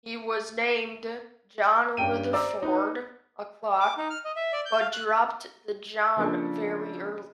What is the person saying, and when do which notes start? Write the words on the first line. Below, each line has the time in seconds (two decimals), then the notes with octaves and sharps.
He was named John Rutherford Alcock, but dropped the John very early.
1.97 G2 C#4 G4 G5 D#7
2.33 C5 D5 A#5 D6 E6
2.63 D#4 B4
3.80 D6
3.98 D#4
4.10 F6
4.25 D#5
4.36 E5
4.53 D5
4.66 G6
4.79 F5
4.93 F#6
6.17 C#3 F3 A#3 D4 A4